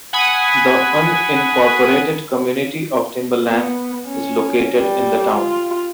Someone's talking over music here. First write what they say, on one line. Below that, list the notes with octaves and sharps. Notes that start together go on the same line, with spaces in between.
The unincorporated community of Timberland is located in the town.
F#5 G#5 B5 D#6 G#6
B3
C#4
G3
F4